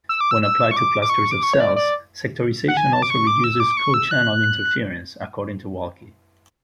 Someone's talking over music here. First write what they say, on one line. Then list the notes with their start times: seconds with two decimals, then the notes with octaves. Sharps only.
When applied to clusters of cells sectorization also reduces co-channel interference, according to Walke.
0.09 E6
0.21 D6
0.31 E6
0.43 E6
0.71 C#6
0.76 D6
1.02 D6
1.10 C#6
1.31 D6
1.43 C#6
1.54 C#5
1.60 D5
1.76 D5
2.68 F#5
2.77 G#5
2.93 A5
3.02 D6
3.10 C#6
3.27 D6
3.44 E6
3.60 D6
3.77 C#6
3.94 E6
4.11 F#6